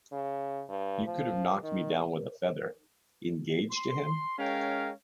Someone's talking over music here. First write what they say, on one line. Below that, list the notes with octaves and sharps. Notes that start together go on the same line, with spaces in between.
You could have knocked me down with a feather. "Engaged to him?"
C#3
G2
F3
D#3
C6
G#3 C#4 A#4 C#5 F5 G5